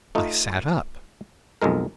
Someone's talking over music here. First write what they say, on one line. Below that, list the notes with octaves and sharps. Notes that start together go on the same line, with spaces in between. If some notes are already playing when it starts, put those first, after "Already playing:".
I sat up.
A3 D#4 F4
B1 F2 G#3 A#4